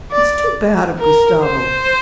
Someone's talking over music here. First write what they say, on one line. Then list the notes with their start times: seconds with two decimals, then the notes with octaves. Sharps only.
It's too bad of Gustavo!
0.12 D5
0.99 A#4
1.43 C5